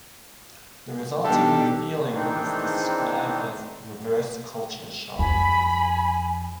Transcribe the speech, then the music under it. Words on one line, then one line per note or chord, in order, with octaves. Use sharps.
The resulting feeling is described as "reverse culture shock".
B2 D#3 G3 D4 G4 A4
D#3 E3 G#3 C4 D4 D#4
F2 G#5 B5